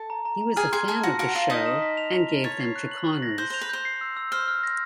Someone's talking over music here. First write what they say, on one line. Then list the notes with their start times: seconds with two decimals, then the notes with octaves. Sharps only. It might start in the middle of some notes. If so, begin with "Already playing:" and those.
He was a fan of the show and gave them to Connors.
Already playing: A4 A5
0.10 A#5
0.25 A#5
0.41 A#5
0.56 G#4 G#5 F6
0.72 G#4 G#5 C6
0.88 G#4 G#5 A5
1.03 F#4 F#5 A#6
1.19 F#4 F#5 D7
1.35 F4 F5 F#7
1.50 D#4 D#5 B6
1.66 E7
1.82 B6
1.97 F7
2.13 F7
2.29 F7
2.44 C#5 A6
2.60 C7
2.76 F#6
2.91 F#7
3.07 F#7
3.22 A#6
3.38 C5 G6
3.50 C5 F7
3.61 B4
3.69 C5 G6
3.85 C7
4.01 E6
4.17 E6
4.32 C5 F6
4.48 F6
4.63 A#6